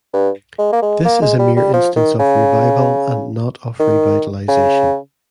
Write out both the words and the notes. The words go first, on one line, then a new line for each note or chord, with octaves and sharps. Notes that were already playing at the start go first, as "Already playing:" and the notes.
This is a mere instance of revival and not of revitalization.
G2
G#3
A#3
G#3
A#3
G#3
G3
G3
F3
D#3
C#3
D#3
C#3